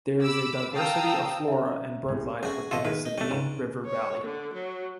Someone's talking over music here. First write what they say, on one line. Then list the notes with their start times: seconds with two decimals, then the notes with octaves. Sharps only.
There is a diversity of flora and birdlife within the Sabine River Valley.
0.21 B5 D6 E6
0.74 F5 G5 A5 A#5 D#6 E6
1.48 C#4 E5 A#5
2.08 C2 G#4
2.43 F#2 A3 C4 F#4 G#4
2.71 A1 F4 F#4 A4 D#5 E5
2.85 D#3 G#3 B4
3.05 D#4
3.18 G3 A3 C#4 D4
3.31 C#2 G#2
3.86 C#5
4.24 D3
4.53 F#3